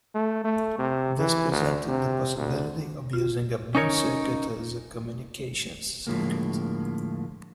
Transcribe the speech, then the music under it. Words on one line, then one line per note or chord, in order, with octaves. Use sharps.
This presented the possibility of using a Moon circuit as a communications circuit.
A3
A3
C3
E3
D2
C3
D2
F4
C#4 D#4 A#4 C#5
A2 D3 F3 G#3 A#3